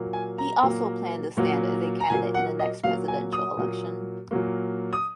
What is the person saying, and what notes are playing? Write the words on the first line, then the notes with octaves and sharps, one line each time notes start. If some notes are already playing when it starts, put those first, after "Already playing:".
He also planned to stand as a candidate in the next presidential election.
Already playing: A#2 F#3 A#3
G#5
A#5
A#2 F#3 A#3
A#2 F#3 A#3
A#5
A#2 F#3 A#3 G#5
F#5
D#5
A#2 F#3 A#3 F5
G#5
D#6
A#2 F#3 A#3
A#2 F#3 A#3
D#6